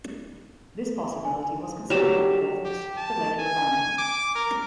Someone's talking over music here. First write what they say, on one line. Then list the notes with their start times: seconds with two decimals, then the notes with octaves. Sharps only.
This possibility was considered by the authors but later abandoned.
1.25 G#5
1.90 F#3 G3 E7 F7
2.65 G4
2.97 A5
3.38 G#5
3.98 D6
4.35 A#4